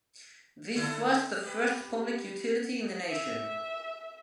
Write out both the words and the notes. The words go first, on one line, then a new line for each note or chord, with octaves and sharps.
This was the first public utility in the nation.
D3 E4 A4
G4 B4
E5